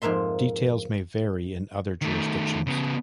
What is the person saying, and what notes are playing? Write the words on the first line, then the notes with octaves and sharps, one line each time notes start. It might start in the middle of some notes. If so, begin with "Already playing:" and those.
Details may vary in other jurisdictions.
F2 G#2 A#3 E5 C6
D#3 A3
C#3 B3